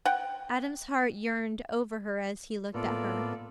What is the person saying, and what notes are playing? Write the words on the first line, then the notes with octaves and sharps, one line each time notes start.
Adam's heart yearned over her as he looked at her.
F#5 G5
A2 A#3 B3 F4 A4 D5